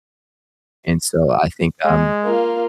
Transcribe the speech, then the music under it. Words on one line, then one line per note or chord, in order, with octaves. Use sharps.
and so I think, um
G#3
A#3 F4